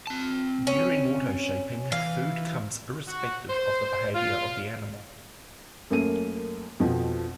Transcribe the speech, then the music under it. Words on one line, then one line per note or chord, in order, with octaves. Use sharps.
During autoshaping, food comes irrespective of the behavior of the animal.
C4 A5
C#4
E3 F5
F#4
C5
F4
F#2 A3 A#3 D#7
F2 B2 F3